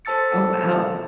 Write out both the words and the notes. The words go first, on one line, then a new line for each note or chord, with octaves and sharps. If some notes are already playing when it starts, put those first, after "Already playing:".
Oh, wow.
A4 C5 A5 E6 A6 C#7